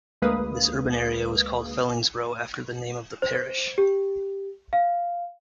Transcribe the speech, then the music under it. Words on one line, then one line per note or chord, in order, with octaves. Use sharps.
This urban area was called Fellingsbro after the name of the parish.
D2 G#3 A#3 B4 F5 D#6
C5
G4
F5